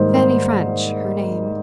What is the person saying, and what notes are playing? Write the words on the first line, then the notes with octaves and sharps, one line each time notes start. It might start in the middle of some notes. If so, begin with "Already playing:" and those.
Fanny French, her name.
Already playing: G#2 D#3 G3 A#3 C5
C5